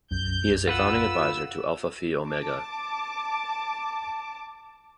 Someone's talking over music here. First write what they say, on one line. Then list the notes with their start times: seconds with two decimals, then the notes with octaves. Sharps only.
He is a founding advisor to Alpha Phi Omega.
0.11 B1 F#2 G6
0.67 F4 B4 F#5 E6
2.27 A5 D6